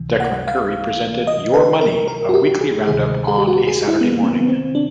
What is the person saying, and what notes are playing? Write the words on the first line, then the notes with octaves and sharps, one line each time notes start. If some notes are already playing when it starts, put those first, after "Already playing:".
Declan Curry presented "Your Money", a weekly round-up on a Saturday morning.
Already playing: C#2 C3 E3
F#5
F5
D#5
B4
A#4
A#4
F#4
G4
G#4
D2 C3 D#3 G#4
G#4
G4
F#4
G4
G#4
E4
B3
A#3
C4
B3
B3
C4
D4